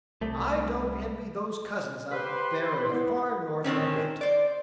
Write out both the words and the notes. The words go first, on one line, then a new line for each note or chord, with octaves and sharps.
I don't envy those cousins up there in the Far North a bit.
C2 A3
G4 B4 C5 C6
B3 E4
D3 D#3 C4 C#4
C5 D5